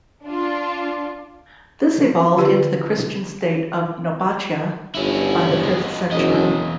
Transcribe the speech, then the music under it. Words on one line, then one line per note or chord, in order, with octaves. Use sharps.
This evolved into the Christian state of Nobatia by the fifth century.
D4 F4
D3 F4 G4 D5
G1 C#4 E4
F2 G#3
F#1 E2 D#5